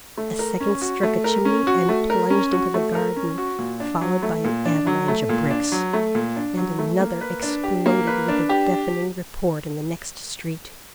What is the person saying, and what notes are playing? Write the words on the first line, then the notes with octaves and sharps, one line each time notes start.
A second struck a chimney and plunged into the garden, followed by an avalanche of bricks, and another exploded with a deafening report in the next street.
A3
A#4
C#4
F#4
A3
A#4
C#4
F#4
A3
A#4
C#4
F#4
A3
A#4
C#4
F#4
A#2
D4
F#3
A3
A#2
D4
F#3
A3
A#2
D4
F#3
A3
A#2
D4
F#3
A3
A#3
B4
D4
G4
A#3
B4
D4
G4